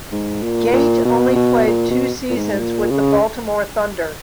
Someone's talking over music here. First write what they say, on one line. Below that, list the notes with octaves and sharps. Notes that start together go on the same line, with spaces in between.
Gait only played two seasons with the Baltimore Thunder.
G#2
A#2
A#2
B2
B2
A#2
B2
A#2
G#2
A#2
C#3